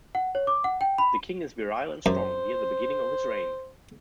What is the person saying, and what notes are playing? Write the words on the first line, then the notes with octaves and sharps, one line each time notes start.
The king is virile and strong, near the beginning of his reign.
F#5
C#5
D6
F#5
G5
B5
F#2 C5